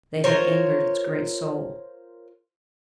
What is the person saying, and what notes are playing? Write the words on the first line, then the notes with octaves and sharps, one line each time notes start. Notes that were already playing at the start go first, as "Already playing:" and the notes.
They had angered its great soul.
F4 A#4 C5 C#5